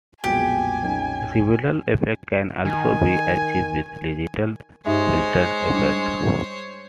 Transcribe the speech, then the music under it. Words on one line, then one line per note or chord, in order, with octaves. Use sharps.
Similar effects can also be achieved with digital filter effects.
B1 F2 A#2 G#3 B3 F#4 G4 G#5
F#3 C#4 D#4
D#3 G#5
G2 G#3 D#4 C5 C#5 E5
G3 D4 E4